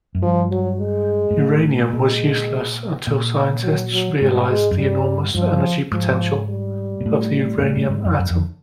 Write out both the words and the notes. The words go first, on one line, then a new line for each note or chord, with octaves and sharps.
Uranium was useless until scientists realized the enormous energy potential of the uranium atom.
F#2
G2 F3
F#3
G#3
G#2
A2
A#2 G#3
A#2
F#3
F#3
G#2 G3
G#3
F#2
G2 G3
G2 F3
G#2 F3
G3
A#2
A2
A#2
A2
A2
G#2
F#2
F#2
F2